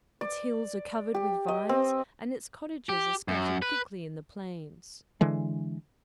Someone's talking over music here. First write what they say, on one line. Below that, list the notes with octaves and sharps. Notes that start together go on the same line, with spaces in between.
Its hills are covered with vines, and its cottages are scattered thickly in the plains.
D5
G4
D#5
C4
G4
F#2
B4
D3 E3 G#3